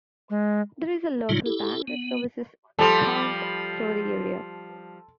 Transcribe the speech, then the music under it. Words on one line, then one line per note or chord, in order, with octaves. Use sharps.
There is a local bank that services accounts through the area.
G#3
A2 C#3 F#3 G3 D#4 F4
E4 G4 A4
B3
F3 G3 A4 C6